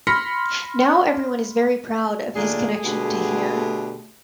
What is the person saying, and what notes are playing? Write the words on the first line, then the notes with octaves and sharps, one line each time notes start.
Now everyone is very proud of his connection to here.
B5 C6 F6 A#6 B6 C#7
D#2 A#2 A3 D4 G#4
B2 D3 G4